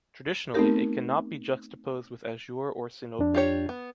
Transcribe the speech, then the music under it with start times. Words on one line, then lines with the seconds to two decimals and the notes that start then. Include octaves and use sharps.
Traditionally, it can not be juxtaposed with azure or sinople.
0.54 A3 B3 C4 D#4 G4 A#4
3.19 F2 D4
3.34 F4 G4 C#5
3.69 B3